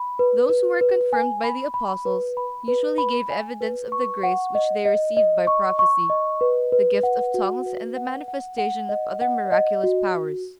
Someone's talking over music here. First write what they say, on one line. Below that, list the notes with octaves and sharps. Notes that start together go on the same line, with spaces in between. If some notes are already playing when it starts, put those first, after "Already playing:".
Those who were confirmed by the Apostles usually gave evidence of the grace which they received by prophecy, the gift of tongues and the manifestation of other miraculous powers.
Already playing: B5
B4
B4
B4
G#5
B5
B5
B4
B5
B4
B5
G#5
B4
C#6
F#5
D#5
D#5
D#5
C#6
C#6
D#5
B4
B4
F#5
F#4
B4
F#5
F#5
F#5
D#5
F#5
D#5
F#4